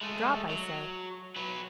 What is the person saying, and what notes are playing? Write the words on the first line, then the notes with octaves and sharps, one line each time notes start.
Drop, I say.'
G#3 A3
F#3
F#3 B4